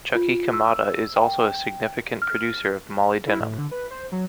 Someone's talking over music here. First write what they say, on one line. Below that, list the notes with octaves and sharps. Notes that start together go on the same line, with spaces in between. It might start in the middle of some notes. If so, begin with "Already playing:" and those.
Chuquicamata is also a significant producer of molybdenum.
F4
E6
G5
F6
E4
A2
D3
B4
C5
F#3